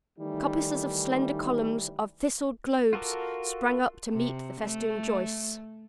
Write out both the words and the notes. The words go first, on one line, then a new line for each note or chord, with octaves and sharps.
Coppices of slender columns of thistled globes sprang up to meet the festooned joists.
D#3 E3 G3 A3 D#4
F4 F#4 A4 A#4 D6
C3
A3